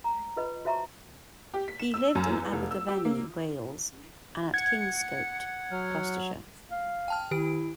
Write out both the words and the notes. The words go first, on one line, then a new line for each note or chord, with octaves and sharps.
He lived in Abergavenny, Wales, and at Kingscote, Gloucestershire.
A#5
F4 B4 D#5
F#4 C5 E5 A5 A#5 C#6
G4
B6
E7
E6
F#2
E2
F1
E6
G4
A#3
F#5 G#6 C#7
F#3 F6
F5
G5 A5 F6
D#3 E4 G4 D7